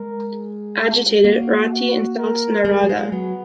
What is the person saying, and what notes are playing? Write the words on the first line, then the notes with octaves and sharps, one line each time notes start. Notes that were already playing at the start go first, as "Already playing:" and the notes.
Agitated, Rati insults Narada.
Already playing: G#3 A#4
G#4
A#3 F#4
F#4
A#4
G#3 G#4
F#3
G#3
F#3 B3